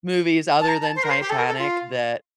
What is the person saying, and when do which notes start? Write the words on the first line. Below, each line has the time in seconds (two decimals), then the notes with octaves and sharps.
movies other than Titanic that
0.61 A5
0.68 A#5
0.82 A5
0.95 C5
1.03 A#4
1.10 C5
1.21 G4
1.30 A4
1.38 A#4
1.47 A4
1.58 F4